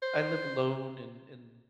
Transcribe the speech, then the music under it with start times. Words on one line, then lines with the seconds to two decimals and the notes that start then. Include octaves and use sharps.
I live alone and and
0.02 C5